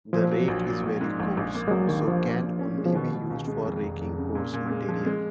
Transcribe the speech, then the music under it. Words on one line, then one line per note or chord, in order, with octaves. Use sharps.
The rake is very coarse, so can only be used for raking coarse material.
A#2 F3
F#3
A#1
A#2
A#1
G#2
A#1
A#1
A#3
G#3
F#3 A#3
D#2 D#3
F3 A#3
A#2
A#2
C#4
G#3
F3
B2 D#3
B2
C#2
G#3
F2
F1
F1
C#3
A#2
A#2
G#3
F3
G#3